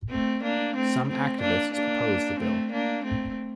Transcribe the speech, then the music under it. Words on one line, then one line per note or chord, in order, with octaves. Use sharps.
Some activists oppose the bill.
A3 C4
A#3 D4
A3 C4
A3 C4
A#3 D4
A#3 D4
A3 C4
A#3 D4
A3 C4